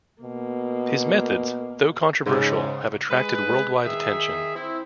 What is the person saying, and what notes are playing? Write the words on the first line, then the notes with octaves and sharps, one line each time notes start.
His methods, though controversial, have attracted worldwide attention.
B2 A#3
G#2 C#3
G#3 B4
D#3 G#4 E5
C4 E4